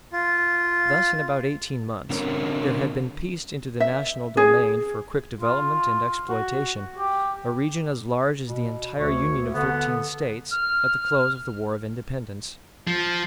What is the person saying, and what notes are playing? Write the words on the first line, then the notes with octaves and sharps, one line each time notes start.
Thus in about eighteen months there had been pieced into the national domain for quick development and exploitation a region as large as the entire Union of Thirteen States at the close of the War of Independence.
F4
D3 C4 C#4 A#4
E5
G#4
F4
F#4
G4
B2
D2 C#5
D3 B3
F6
F3